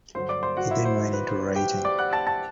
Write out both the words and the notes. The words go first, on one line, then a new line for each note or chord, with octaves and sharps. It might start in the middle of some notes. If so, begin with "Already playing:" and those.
He then went into writing.
G2 D3 F#3 C5 C6
D5 D6
C5 C6
F#4 F#5
E4 E5
C5
C5
B4
C5
G4 G5
D5 D6
F#5 F#6
A5 A6
A5 A6